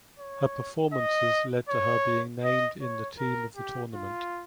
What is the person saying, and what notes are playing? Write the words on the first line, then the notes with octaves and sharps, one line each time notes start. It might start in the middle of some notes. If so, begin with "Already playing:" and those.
Her performances led to her being named in the Team of the Tournament.
C#5
D#5
C#5
D#5
C#5
A#4
G4
F4